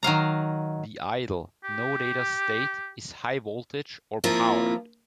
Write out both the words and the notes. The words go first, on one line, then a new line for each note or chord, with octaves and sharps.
The idle, no data state is high-voltage, or powered.
D#3 F#3 F5 A#5
G4
F3 A#3 C4 E4 F4